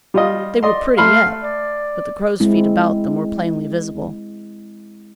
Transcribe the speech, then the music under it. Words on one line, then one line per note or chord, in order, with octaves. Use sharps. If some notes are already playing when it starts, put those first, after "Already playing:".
They were pretty yet, but the crow's feet about them were plainly visible.
G3 F4 D#5
D5 D#5 C6
A3 F5 B5 C6
D5
G#3 C4 E4